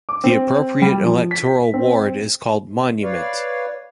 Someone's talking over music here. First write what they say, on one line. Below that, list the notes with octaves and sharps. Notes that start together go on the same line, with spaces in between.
The appropriate electoral ward is called 'Monument'.
D6
C4
G3
F3
B6
C4
B4 C#5 D5 F5